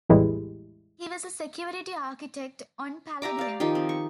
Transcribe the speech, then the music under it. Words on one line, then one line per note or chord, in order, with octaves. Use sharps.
He was a security architect on Palladium.
A#1 E2 A2 E3 G3 G#3
G4 E5 A#5 D6
D5 F5
D#3 F3 D#4 G4
C4
C#6